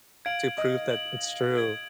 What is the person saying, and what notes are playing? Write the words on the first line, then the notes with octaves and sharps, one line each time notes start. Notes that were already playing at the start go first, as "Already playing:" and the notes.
to prove that it's true."
F5 G#6 D7 F#7
D#5
G#6 D7 F#7
G#6 D7 F#7